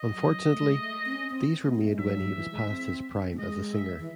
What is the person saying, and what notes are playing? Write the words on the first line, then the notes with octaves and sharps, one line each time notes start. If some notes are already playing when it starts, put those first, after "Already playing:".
Unfortunately, these were made when he was past his prime as a singer.
Already playing: D#5
F#3
A3
G#3
A3
C4
C#4
C4
A3
C4
A3
G#3
F#3 E5
F#3
E3
G#3
C4
A3
G#3 D#5
E5
E3